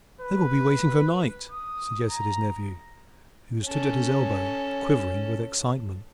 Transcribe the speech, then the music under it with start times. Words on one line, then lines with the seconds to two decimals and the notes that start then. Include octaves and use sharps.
"They will be waiting for night," suggested his nephew, who stood at his elbow quivering with excitement.
0.21 B4
1.52 D#6
2.10 A#5
3.65 C#4 A4